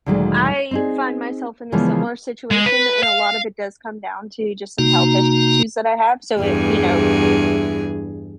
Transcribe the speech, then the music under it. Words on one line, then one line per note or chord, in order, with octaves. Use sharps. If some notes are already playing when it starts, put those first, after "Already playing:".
I find myself in a similar situation and a lot of it does come down to just some health issues that I have. So, it you know,
D2 A#2 D#3 F#3 G#3 G#4
C4 D#4 G#4
C#3 E3 F3 G#3 A#3 B3
G#3
B4
F5
C3 A#3 D#4 F#4 A#5
E2 G2 G#4